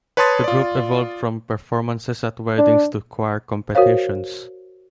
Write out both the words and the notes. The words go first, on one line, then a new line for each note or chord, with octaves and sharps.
The group evolved from performances at weddings to choir competitions.
B4 C#5 A5 C6 D#6 A6
F4 D5
D4
F#4 A#4 C5 C#5 F5